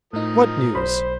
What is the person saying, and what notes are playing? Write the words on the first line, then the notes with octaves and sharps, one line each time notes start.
"What news?"
A2 F3 D#4 A#4 D#6
B1 C5 B5